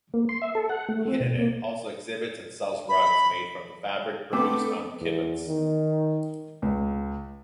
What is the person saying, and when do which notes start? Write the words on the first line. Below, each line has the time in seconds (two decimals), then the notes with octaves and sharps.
"Hinnanit" also exhibits and sells rugs made from the fabric produced on the kibbutz.
0.14 A#3
0.29 C6
0.42 E5
0.55 A4
0.69 F#5
0.89 A3
1.07 C4
1.20 B2
1.38 A#3
2.89 B5
4.33 A3 B3 C4 D4 A4 D6
5.01 E2
5.47 D#3
6.62 C#2